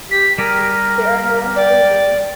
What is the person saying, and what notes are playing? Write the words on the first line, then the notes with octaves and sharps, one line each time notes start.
There are now no remains.
G4 B6
G3 G4 G#4 A#4 A#6
D5 G5